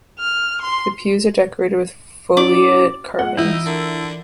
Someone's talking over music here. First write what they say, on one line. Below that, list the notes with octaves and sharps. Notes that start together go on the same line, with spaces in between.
The pews are decorated with foliate carvings.
F6
C6
C#4 E4 F#4 D5
G#3 F4 F#5
E3 D#4 E4
D3 A#4 D5 A#5